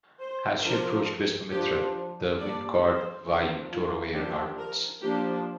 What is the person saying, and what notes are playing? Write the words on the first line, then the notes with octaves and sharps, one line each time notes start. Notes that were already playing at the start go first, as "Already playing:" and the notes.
As she approached Viswamitra, the wind god Vayu tore away her garments.
C5
F3 D4 A#4
F3 D4 G4
G3 A#3 D4 D5
C5
D3 F3 C4 A#4
F4
F3 D4 G4
A#4
F3 A#3 D4 G4